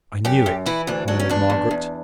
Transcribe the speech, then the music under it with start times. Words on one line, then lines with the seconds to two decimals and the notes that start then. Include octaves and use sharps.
"I knew it," murmured Margaret.
0.25 F#2 G4
0.46 F#2
0.66 E3 E4
0.87 D2 D4
1.08 F#3 D4
1.19 C#4
1.29 E2 D4
1.50 E2
1.71 E2